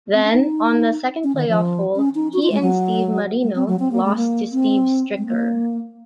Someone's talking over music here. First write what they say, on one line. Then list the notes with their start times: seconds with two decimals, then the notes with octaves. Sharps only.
Then, on the second playoff hole, he and Steve Marino lost to Steve Stricker.
0.14 C4
0.24 C#4
0.32 D#4
1.24 C#4
1.36 D#3
1.48 F3
1.96 C#4
2.15 D#4
2.33 F#4
2.42 F4
2.52 G#3
2.61 F#3
3.43 G#3
3.55 C4
3.68 F#3
3.80 C4
3.92 A#3
4.04 G#3
4.16 A#3
4.53 C4
5.18 G#3
5.27 A#3